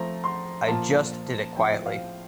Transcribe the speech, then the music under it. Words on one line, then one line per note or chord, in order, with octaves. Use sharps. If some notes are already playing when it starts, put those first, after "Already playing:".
I just did it quietly.
Already playing: F3 A3 C4 A#5
C6
A#2 F3 A#3 F4 A5
A2 F3 C4 F4 G5
F5